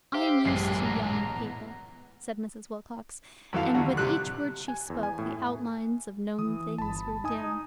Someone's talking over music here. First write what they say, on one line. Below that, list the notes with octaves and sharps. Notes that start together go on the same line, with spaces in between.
"I am used to young people," said Mrs. Wilcox, and with each word she spoke the outlines of known things grew dim.
G4 C5 E5 F5
A1 F#2 A#2 G#3 G4 C7
A#5
B3 E4
F#2 E3 A4 F5
D#2 D3 F#4
C3 G3 F#6
G#5
E2
G#5
A2
E3 D#6
G1 A5 B5
D#4 D#5 G#5 D#6